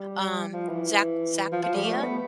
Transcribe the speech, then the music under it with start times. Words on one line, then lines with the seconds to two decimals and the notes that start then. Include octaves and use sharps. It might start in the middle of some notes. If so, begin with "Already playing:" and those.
um, Zack Zack Padilla
Already playing: G3
0.53 F3
0.69 E3
1.52 F3
1.63 F3
1.74 G3
1.85 A3
2.02 B3